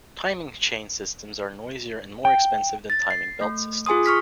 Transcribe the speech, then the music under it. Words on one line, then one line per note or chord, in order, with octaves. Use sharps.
Timing chain systems are noisier and more expensive than timing belt systems.
G5
A6
C7
A3
F4 G#4 G#5 C6 D#6
C#6 F6 B6